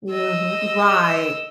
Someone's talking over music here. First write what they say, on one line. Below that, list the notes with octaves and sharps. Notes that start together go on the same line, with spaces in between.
Mhm Right.
D#5 E6